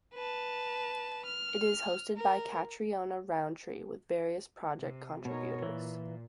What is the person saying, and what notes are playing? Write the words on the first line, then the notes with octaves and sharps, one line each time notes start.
It is hosted by Catriona Rowntree with various project contributors.
B4 A5
F6
A#4
C3
B2 D#4 A#4 C#5
A#2 E3